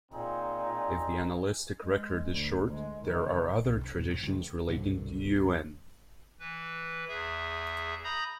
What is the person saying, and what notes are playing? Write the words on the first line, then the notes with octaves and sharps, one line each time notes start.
If the annalistic record is short, there are other traditions relating to Uuenn.
A#2 C4 D#4 G#4
G#3
D2
G#3
C3 D#3
B1 E2
C4 D4
A#2 F3
F3 C4
C#2
C2 G2 B2 D3
E3 B4
E2 G#4 E5
A#5 B5 D#6 G6 A#6